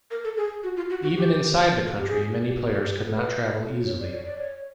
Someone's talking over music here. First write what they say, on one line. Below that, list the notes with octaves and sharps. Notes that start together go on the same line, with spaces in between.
Even inside the country, many players could not travel easily.
A#4
A4
G#4
F#4
F4
F#4
F#4
G4
G4
G#4
G4
F#4
G4
G4
G#4
A4
B4
C#5
D5
C#5
D5
C#5